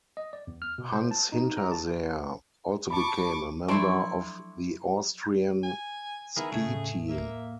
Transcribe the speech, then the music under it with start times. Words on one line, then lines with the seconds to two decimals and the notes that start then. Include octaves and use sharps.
Hans Hinterseer also became a member of the Austrian ski team.
0.17 D#5
0.33 D5
0.47 E2
0.62 F6
0.78 B2
0.93 C5
1.11 A5
1.32 D#4
1.57 A#5
1.71 A5
2.90 A5 B5 C#6 D6
3.68 F3 F#3 A3 D4 E4 D5 C6 C#6
5.64 G#5
6.37 D#3 B3 E4 G#4 A#4
6.52 E2 A2 C#3 A3 G#6
7.09 A#3 E5